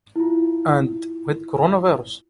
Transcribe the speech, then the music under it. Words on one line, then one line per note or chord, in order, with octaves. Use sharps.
And with coronavirus?
E4 F4